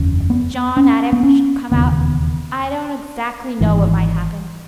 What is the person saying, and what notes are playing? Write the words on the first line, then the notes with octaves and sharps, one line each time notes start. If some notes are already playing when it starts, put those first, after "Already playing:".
If John Adam should come out, I don't exactly know what might happen.
Already playing: F#1 E2 C#3
B3
C#4
B3
C#4
E1 D#2 C#3 B3
G#1 G#2 E3